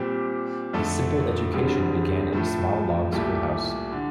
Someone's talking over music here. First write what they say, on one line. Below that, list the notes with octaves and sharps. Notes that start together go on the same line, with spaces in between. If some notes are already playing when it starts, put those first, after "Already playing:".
His simple education began in a small log schoolhouse.
Already playing: A#2 G3 C4 G4
F2 D3 A3 D4 A4
E1 E2 D3 G3 C4
A2 F3 A3
C2 A#2 A3 E4 G4
D3